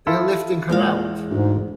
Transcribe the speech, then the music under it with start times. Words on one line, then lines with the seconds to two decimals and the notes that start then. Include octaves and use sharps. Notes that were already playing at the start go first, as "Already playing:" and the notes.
They are lifting her out!
0.07 E4 F4 A4
0.69 E2 A#2 G#3 F5
1.30 D2 G#2